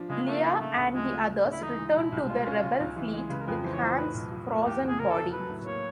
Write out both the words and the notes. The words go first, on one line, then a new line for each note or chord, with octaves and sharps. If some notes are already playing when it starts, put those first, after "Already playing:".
Leia and the others return to the Rebel fleet with Han's frozen body.
Already playing: F3 D4
C#3 G#3
A3 A#3
D#4
C#3 A3
D2
F3 G#3
A3
C#3
D2
E4
E3 D#4
G#3
B2 E4
C2
G#3 F4
C#4
C#3
C#2
E3
G#3
C#3 B4
A#4
F2 B4
E3 C5
C#5
F2 C5
A2 B4
B1
F3
A#3
E2 G4
F1
G#4
C#3 A#4
A4
F1
F#3 B4
A2
A#3 C#5